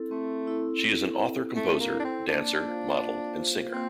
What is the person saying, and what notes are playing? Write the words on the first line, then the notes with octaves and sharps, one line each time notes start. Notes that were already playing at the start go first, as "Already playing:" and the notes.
She is an author-composer, dancer, model and singer.
Already playing: C4 E4 A4
A3 C4
E4 A4
C4
E4 A4
A3 C4
A#3
E4 A4
D4
C4
A#3 D4
F4 C5 F5
A#3
F4 C5 F5
A#3 C4